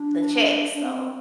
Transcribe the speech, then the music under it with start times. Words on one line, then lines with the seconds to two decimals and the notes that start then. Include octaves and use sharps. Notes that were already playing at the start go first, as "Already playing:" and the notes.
the check, so
Already playing: D4
0.74 D4
0.83 C4
0.94 C4